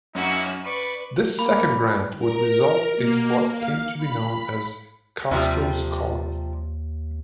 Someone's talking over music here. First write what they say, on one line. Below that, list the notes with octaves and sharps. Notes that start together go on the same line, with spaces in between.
This second grant would result in what came to be known as Castro's Colony.
F#2 A#3 C#4 D#4 E4 F#4
B4 D5 B5 C#6 D#7
A#3 B5
A#4
A#3
F5
B5
D#2 C3 F3 G3